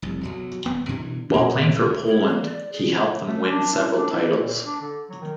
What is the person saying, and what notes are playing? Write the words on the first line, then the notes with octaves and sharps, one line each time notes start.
While playing for Poland, he helped them win several titles.
F1 C2
B1 F#3
D#1 B3
G2 B2 D3 E3
A#2 A#3
D2
E4
A#3
D5
G#4
A3
D4
E4
D4
E4
A#2
D4
D3
F#3
D#3